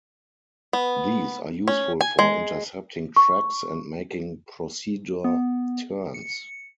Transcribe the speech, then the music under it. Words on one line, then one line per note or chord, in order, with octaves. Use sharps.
These are useful for intercepting tracks and making procedure turns.
B3
C#4
G#5
G#3
C#6
B3
C#7